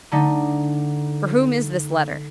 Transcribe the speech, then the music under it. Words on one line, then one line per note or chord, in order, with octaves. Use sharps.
"For whom is this letter?"
D3 A3 D#4